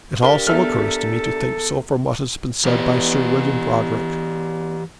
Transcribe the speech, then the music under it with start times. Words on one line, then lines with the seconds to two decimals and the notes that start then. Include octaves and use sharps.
It also occurs to me to think so from what has been said by Sir William Brodrick.
0.23 D4 G4 A#4 G7
0.47 E2 A4 E5 F6
2.65 E2 B2 E3 G4